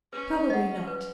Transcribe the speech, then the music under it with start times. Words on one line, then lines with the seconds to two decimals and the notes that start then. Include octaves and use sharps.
Probably not.
0.13 C#4 B4
0.50 D#5 F#5
0.87 B4